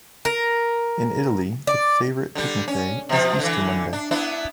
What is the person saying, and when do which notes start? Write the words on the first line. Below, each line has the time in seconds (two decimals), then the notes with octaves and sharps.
In Italy, the favorite picnic day is Easter Monday.
0.25 A#4
1.67 D5
2.35 D3 G3
2.68 C#4
3.09 B2 F3
3.39 D3 E3
3.93 D4
4.11 B3 D4 E4